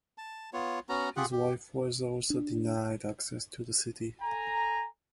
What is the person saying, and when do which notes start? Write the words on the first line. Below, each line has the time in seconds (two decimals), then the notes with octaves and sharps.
His wife was also denied access to the city.
0.18 A5
0.53 B3 F4 C#5
0.89 B3 C#4 F#4 A#5
1.16 F4 G4 G#4 F#5
1.31 G4
2.30 D4
4.22 A4 G#5 A#5